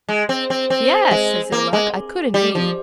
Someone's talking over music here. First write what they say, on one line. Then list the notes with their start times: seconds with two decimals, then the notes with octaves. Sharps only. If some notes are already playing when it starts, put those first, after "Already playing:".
"Yes," says Ill-Luck, "I could indeed."
0.09 G#3
0.29 C4
0.50 C4
0.70 C4
1.11 G#3
1.52 A#3
1.73 G#3
2.34 G3
2.55 F3